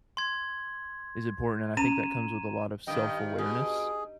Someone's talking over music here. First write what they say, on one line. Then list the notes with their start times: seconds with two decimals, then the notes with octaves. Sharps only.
is important, and I think that comes with a lot of self-awareness
0.17 C6 G#6
1.77 C#4 A#5 D#7 E7
2.87 G2 D#3 D#5 G5
3.38 B2 G#4